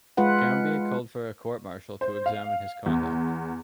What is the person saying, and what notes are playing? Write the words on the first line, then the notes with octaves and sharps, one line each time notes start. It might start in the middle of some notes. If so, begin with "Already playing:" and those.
Gambier called for a court martial to examine his conduct.
G#3 F4 B4 F#5
C5
F5
E2